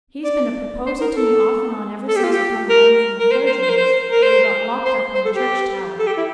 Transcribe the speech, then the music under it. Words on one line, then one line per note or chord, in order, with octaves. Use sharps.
He's been a-proposin' to me off and on ever since you come home from the clergyman's where you got locked up on the church-tower.
D5
C5
A#4
A4
A4
G4
F4
G4
A#4
A#4
C5
C5
C5
A#4
C5
A#4
C5
C5
C5
A4
G4
A4
G4
E4